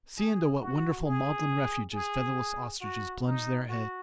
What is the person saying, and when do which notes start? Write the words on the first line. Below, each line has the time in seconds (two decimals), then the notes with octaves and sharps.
See into what wonderful maudlin refuges, featherless ostriches plunge their heads!
0.17 G#4
0.61 F#4
1.05 G#4
1.93 G#4
2.81 F#4
3.24 D#4
3.69 F#4